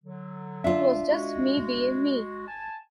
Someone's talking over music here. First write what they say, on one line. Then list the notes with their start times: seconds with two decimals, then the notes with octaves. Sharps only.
It was just me being me.
0.04 D3 F#3
0.64 D4 F4 E5
1.08 G#3 F#4
2.48 G#5 A5